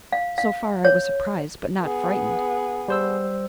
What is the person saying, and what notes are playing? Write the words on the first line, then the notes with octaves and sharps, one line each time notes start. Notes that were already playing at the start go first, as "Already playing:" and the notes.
So far, I was surprised, but not frightened.
F5
F5
C#5
B3 G#4
G3 C5 E6